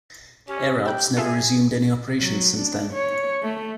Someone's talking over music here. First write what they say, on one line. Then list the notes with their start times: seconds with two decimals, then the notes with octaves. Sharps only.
Air Alps never resumed any operations since then.
0.47 C#4 G4
0.85 G5 E6 F#6
1.17 F4 G#4 A4 E5
2.20 F#3
2.60 D4
2.93 C#5
3.43 A3